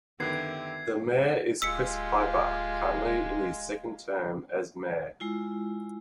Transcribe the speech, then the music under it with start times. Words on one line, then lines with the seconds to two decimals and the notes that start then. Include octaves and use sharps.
The Mayor is Chris Pieper, currently in his second term as mayor.
0.20 F#2 D3 D#3 B3 G4 E5 G#6 C7
1.62 D1 G#3 F4 G4 E6 B6 C#7
5.20 G#3 E4 F4